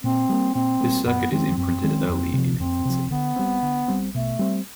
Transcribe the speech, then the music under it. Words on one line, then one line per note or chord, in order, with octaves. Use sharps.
This circuit is imprinted early in infancy.
A#2 C4
G3 A#3
A#2 C4
G3 A#3
F#2 B3
D#3 G#3 C4 C#4
F#2 C4
D#3 G#3 C#4
F2
C3 F3
F2 C4
C3 F3
D3 B3
G3 C4
D3
G3 C4
B2 A3
G3 C4